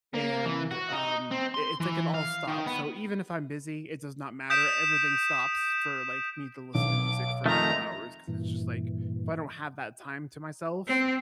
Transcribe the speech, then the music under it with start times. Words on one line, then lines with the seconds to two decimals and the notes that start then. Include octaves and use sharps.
and, um, it it's like an all-stop, so, even if I'm busy, it does not matter, everything stops for, like, me to listen to music for a couple hours 'cause it's just like if I don't have that time to myself,
0.14 A#3
0.45 E3
0.71 F#4
0.93 D#4
1.31 C4
1.54 C6
1.80 E3
2.14 F5
2.47 D#3
2.66 B3
4.50 D#6 G6 B6 D7 E7
6.75 B1 D6
7.46 F2 D#3 G#3 A3 A#5
8.28 G2 A#2 E3
10.87 C4